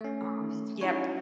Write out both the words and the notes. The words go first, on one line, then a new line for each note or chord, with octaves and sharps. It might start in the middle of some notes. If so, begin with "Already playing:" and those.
Um, yep,
A3 C#4
C#4 D#4 E4 F#4 C#5